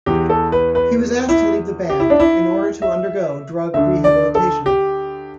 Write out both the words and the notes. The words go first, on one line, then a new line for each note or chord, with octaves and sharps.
He was asked to leave the band in order to undergo drug rehabilitation.
E2 E3 G4
A4
B4
B4
E4
G4
E4
D4
E4
E5
D2 D3 E5
D5
A4
G4